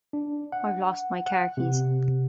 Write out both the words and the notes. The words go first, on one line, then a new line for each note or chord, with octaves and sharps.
I've lost my car keys.
D4
F#5
F#5
C3